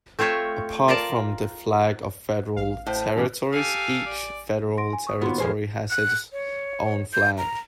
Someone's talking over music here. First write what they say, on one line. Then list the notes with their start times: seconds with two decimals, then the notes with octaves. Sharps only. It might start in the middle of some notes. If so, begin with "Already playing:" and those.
Apart from the flag of Federal Territories, each federal territory has its own flag.
0.19 A3 C4 F4 C#5 E5
0.88 F4 A#4 D5 A5
2.57 A1 F5
2.86 A2 C5
3.16 A2 E3 C#4 G4
3.52 G4 A4 F5 G#5
4.06 D5
4.78 C6 A#6 D7
4.93 G#5
5.07 C#6 D#6
5.22 D#2 B3 F4 F#4 C6
5.38 F2 G#4 B4 C5
5.90 F#6
6.32 C#5
7.13 G6
7.38 A#5